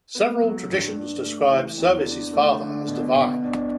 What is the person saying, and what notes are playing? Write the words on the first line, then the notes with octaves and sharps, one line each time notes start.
Several traditions describe Servius' father as divine.
B3
F#3
G2
D4
A3
E3
E2
D4
A3
D3
B2
B2
D4